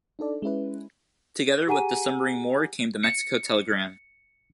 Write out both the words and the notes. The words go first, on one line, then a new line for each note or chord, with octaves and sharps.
Together with the submarine war came the Mexico telegram.
D4 D#4 A4 D5
G#3 C#4 E4 B4
G4 G#4 F#5 G#5 A#5 D#7
C#7